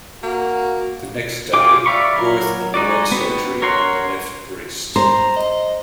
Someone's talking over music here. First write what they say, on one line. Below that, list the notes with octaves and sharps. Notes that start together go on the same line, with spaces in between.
The next day, Werth underwent surgery on the left wrist.
A#3 F#4
F4 G4 G#4 G5 D6
D5 E5 F5 B5 C#6
F#3 A#4
G#3 D#4 F#4 D5
B3 F#4 G4
A#4 C#5 F#5 C6
C5 A#5
D#5